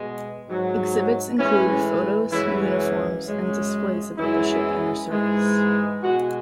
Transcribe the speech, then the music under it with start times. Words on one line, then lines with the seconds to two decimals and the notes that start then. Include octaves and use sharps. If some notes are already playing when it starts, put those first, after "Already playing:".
Exhibits include photos, uniforms, and displays about the ship and her service.
Already playing: B2 G#3
0.47 G#2 F#3
1.39 A2 E3 G#3 C#4
2.32 F#2 C#3 E3 G#3 E4
3.25 F#2 C#3 G#3
4.17 F#2 E3 G#3 E4
5.11 G#2 E3 G#3
6.03 B2 G#3 F#4